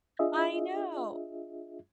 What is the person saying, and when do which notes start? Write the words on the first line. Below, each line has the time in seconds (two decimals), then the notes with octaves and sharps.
I know!
0.19 D4 F4 G#4 D#5 E5